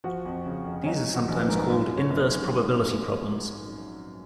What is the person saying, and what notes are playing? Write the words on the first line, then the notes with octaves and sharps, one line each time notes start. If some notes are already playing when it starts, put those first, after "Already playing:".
These are sometimes called "inverse probability" problems.
F3 F#4
F2
C#3
F1
C#4
F#3 D#4
D#3
F#4
A#1
B4
G#2 A#4
B4
F#2 B4
F#2
C#5
F#2